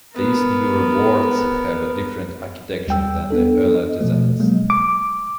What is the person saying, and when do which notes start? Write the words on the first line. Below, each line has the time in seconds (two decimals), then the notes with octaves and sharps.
These newer boards have a different architecture than the earlier designs.
0.16 B3 A#4
2.87 D#2 G3 G5 E6
3.30 B3 D4 A4
3.75 D#5
4.01 B2 F3 A3
4.40 F#3 G#3 A#3
4.70 D6